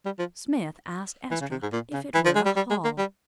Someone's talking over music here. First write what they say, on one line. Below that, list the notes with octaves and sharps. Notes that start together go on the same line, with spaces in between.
Smith asked Estra if it were a hall.
G3
F3
E3
C#3
C3
G#2
A#2
C#3
E3
F3
G#3
G3
G3
G#3
A#3
G3